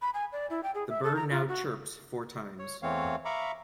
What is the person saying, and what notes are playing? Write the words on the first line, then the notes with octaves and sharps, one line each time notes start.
The bird now chirps four times.
B5
G#5
D5
E4
G5
G#4
E5
A4
A#5
F4
F#4
C#5
E2 E3 A3 C4 C#5 F5
E5 F5 A#5 B5 C#6 D6